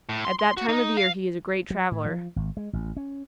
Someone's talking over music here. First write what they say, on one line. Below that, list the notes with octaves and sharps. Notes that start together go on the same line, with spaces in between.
At that time of year he is a great traveler.
A2
C6
C6
F#4
D#4
F5
F#3
A2
F3
G#1
G#3
A1
C#4